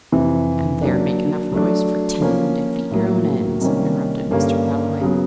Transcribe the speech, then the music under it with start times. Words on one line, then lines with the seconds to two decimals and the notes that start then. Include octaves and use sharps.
"And there make enough noise for ten, and defeat your own ends," interrupted Mr. Galloway.
0.12 F2 C3 E3
0.82 F#3 A#3 D4
1.52 F#3 A3 D4
2.21 F3 A#3 C#4
2.91 A2 F#3 A#3
3.61 C3 D#3 G3 A#3 C#4
4.31 G2 D3 G3 A#3 C#4
5.01 C#3 F#3 B3